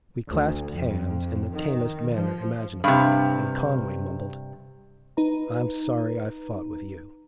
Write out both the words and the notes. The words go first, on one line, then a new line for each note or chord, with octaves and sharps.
We clasped hands in the tamest manner imaginable, and Conway mumbled, "I'm sorry I fought with you."
D2
F2
D#3
F3
G2 C3
D#4 B4 A#5